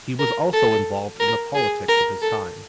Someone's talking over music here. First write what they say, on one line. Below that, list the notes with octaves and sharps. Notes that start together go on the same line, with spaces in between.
He was also involved in the politics of his time.
A#4
A4
A#4
G#4
A#4
A4